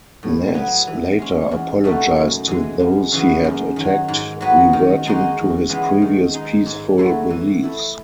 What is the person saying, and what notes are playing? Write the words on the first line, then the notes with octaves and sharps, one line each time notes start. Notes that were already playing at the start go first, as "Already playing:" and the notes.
Nas later apologized to those he had attacked, reverting to his previous peaceful beliefs.
A2
F#3 B3
E3
G#3 C#4
E2
B2 A3 D#4 F#4
F#2
E3 G#3
F#2
C#3 E3 B3
F#2
D#3 F#3
G#2
F#3 B3 F#4
D#3
G#3 D#4 F#4
E2
C#3 E3 G#3 B3
D#3
G#3 D#4
G#2
F#3 A3 E4
E3
A3 E4